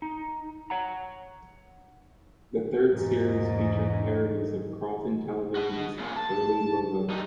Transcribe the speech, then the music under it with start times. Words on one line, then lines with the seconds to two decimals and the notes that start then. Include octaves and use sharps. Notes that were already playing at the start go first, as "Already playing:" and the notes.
The third series featured parodies of Carlton Television's early logos.
0.02 D#4
0.70 C#5 F#5 A#5
2.87 B1 E2 G#2
5.55 F#4 D#5
5.99 A#2 C#3
6.16 A5
7.10 G3 D#4